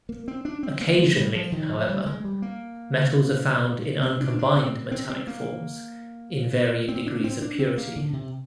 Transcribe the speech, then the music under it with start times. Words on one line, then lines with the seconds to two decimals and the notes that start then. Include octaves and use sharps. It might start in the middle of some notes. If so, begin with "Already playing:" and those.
Occasionally, however, metals are found in uncombined metallic forms, in varying degrees of purity.
0.09 A#3
0.28 C4
0.45 D4
0.63 C4
0.81 A#3
0.99 G#3
1.17 G3
1.35 F3
1.52 D#3
1.70 F3
1.89 G3
2.06 G#3
2.24 G3
2.42 A#3
4.03 C4
4.21 D4
4.39 D4
4.56 C4
4.91 C4
5.10 C4
5.27 A#3
6.88 C4
7.07 D4
7.24 C4
7.42 D4
7.59 C4
7.78 A#3
7.96 D3
8.13 C3